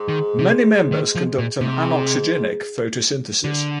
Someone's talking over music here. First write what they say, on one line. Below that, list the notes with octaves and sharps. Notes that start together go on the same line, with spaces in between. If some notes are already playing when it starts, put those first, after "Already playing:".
Many members conduct an anoxygenic photosynthesis.
Already playing: G#2
D#3
C3
D#3
F3
A#2
G#2 C3
D3